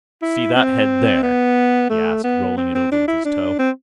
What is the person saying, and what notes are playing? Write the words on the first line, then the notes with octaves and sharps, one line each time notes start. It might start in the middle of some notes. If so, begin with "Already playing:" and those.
"See that head, there?" he asked, rolling it over with his toe.
E4
C4
B3
A3
B3
C4
C4
D4
E4
D4
C4